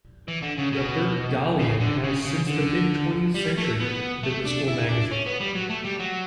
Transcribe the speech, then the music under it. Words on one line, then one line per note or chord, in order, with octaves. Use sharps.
"The Birkdalian" has, since the mid-twentieth century, been the school magazine.
E3
D3
C#3
B2
C#3
D3
C#3
C#3
D3
G3
A3
B3
A3
D4
E4
D4
C#4
B3
G3
F#3
A3
G3
F#3